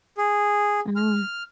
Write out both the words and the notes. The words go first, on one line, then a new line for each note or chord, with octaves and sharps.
I know.
G#4
F6